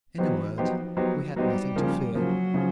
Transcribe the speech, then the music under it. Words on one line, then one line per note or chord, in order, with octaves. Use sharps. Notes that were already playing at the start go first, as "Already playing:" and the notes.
In a word, we had nothing to fear.
E3 F#3 B3 D#4 G4 C5
F3 F#3 B3 D#4 G4 C5
F#3 B3 D#4 G4 C5
F#3 G3 B3 D#4 G4 C5
C#3 F3 A#3
C#3 F3 F#3 A#3
C#3 F3